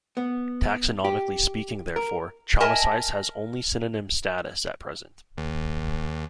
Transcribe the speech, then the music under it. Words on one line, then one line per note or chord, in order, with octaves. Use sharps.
Taxonomically speaking therefore, "Chamaesyce" has only synonym status at present.
B3
G4
A#4
A#4 D#5 E5 G#5 A5
D#2